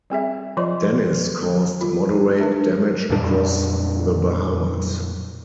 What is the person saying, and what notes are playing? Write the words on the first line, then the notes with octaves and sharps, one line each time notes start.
Dennis caused moderate damage across the Bahamas.
G3 C4 G#4 E5
F3 F#3 F4 C5 D#5 C6
F4
G#3 D4 A#4
F2 A#2 G3 D4